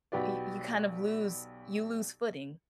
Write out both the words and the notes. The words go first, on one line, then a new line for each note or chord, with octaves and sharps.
y you kind of lose you lose footing.
B1 F#4 G4 B4 D5